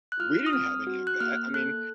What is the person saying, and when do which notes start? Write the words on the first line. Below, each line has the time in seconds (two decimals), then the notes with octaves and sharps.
We didn't have any of that. I mean,
0.12 F#6
0.20 F4 F6
0.46 D#6
0.53 C4 F6
0.87 F#4
1.07 F#6
1.20 A#3 F6
1.54 A4 F#6